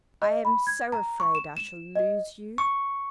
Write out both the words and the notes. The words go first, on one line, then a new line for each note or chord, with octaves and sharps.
I am so afraid I shall lose you.
D#5
B5
G#6
A#5
C#6
E7
E7
D#5
C#6